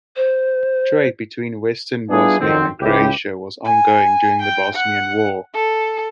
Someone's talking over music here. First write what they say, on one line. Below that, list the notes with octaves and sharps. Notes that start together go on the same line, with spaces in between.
Trade between Western Bosnia and Croatia was ongoing during the Bosnian war.
C5
G3 B3 D4 E4 F4 G#4
F2 D#3 F#3 C4
C#2 E4 G4
G#5
G5
F#5
A4